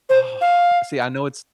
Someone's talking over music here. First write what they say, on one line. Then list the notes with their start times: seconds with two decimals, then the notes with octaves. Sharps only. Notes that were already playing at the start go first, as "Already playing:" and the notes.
Oh, see, I know it's,
0.09 C5
0.41 F5